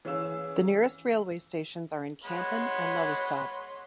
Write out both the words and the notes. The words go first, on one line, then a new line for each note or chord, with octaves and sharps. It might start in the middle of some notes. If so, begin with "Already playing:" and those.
The nearest railway stations are in Kampen and Lelystad.
E3 C#4 G#4 F5 E6
G#3 C#5 F#5 B5 C6